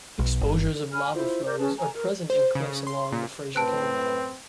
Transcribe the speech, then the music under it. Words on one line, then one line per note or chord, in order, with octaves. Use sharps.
Exposures of lava flows are present in cliffs along the Fraser Canyon.
B1
G1
G#5 B5 F6
E4 F4 C5
A#4 D5 D6 G6
C#4 G#4 B4 A5
G#5 A#5
A#4
C5
C#3
C6
A#2
F#2 A2 C4 B4 A5 F#6